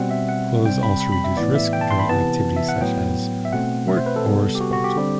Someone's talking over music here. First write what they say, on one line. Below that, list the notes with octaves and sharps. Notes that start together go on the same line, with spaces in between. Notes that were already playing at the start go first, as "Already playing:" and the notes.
Clothes also reduce risk during activities such as work or sport.
Already playing: B2 G3 C4 F#5
E5
F#5
C3 G3 C4 G5
B5
B5
B5
E5
A2 E3 B3 D5
E5
G5
A5
C6
B5
C3 E3 B3 A5
E5
F#5
A2 F#3 B3 G5
E5
B2 A3 C4 F#5
E5
C5
B4
A4
C3 G3 B3
G4
F#4
F#4
G4
D3 G3 C4